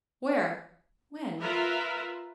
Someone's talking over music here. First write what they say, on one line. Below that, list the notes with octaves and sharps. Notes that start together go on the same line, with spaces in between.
"Where? When?"
F4 A#4 B4 E5